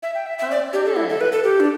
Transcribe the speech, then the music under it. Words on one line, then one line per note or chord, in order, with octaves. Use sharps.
Oh, good.
E5
G5
E5
E5
D5
G4
A4
E4
A4
B4
A4
G4
D4